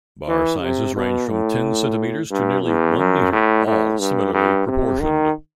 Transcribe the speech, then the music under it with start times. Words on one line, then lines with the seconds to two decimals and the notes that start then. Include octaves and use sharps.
Bar sizes range from ten centimetres to nearly one metre, all similarly proportioned.
0.28 E3
0.61 C3
0.96 B2
1.30 A2
2.31 G2
2.64 E2
2.98 F#2
3.32 A2
3.66 A2
3.99 G2
4.33 G2
4.68 C3
5.01 D#3